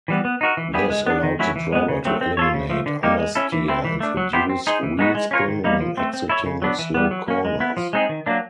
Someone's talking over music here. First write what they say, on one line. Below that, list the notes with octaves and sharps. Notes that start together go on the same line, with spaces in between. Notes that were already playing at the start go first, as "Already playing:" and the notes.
This allowed the driver to eliminate understeer and reduce wheelspin when exiting slow corners.
E3 G3 B3
B3
D#4 F#4 A#4
E3
G3 B3 E4 G#4
G#3
B3 D4
D#3
F#3 A3 C#4 E4
E3
G#3 B3
C#3
F#3 A3 C4
C4
F4 A4 C#5
C#3
F3 A3
D3
G3 A#3 D#4 G4
G#3
C#4 E4 A4
E3
A3 C4 E4
E3
A3 D4
F#3
B3 E4 G4 C5
C4
D#4 G#4 C5
E3
G#3 B3 D#4 F#4
G#3
C#4 F4 A#4 C#5
D#3
G3 A#3 D#4
F3
A3 C4
C4
E4 A4 C#5
C#3
F#3 B3 D4
E3
G3 B3
F#3
A#3 C#4
G#3
B3 E4
F3
G#3 C4 D#4 G#4
D#3
F#3 A#3 D4